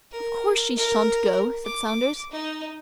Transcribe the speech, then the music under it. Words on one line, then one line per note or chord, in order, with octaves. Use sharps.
"Of course she shan't go," said Saunders.
A#4
A#4
D6
D#4